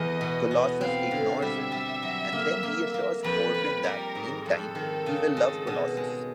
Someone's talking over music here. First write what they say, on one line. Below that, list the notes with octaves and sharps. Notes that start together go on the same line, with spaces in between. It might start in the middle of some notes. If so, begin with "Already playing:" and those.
Colossus ignores him, and then reassures Forbin that, in time, he will love Colossus.
Already playing: E2 E3 D#5
B2
B3
C4 F5
D3
G3 E5
G3
F#3
A#3
A#3
A#3
F2 B4
F2
G3 A#4
G#2
F2 A4
D#3
C#3
G#3
B2
G#3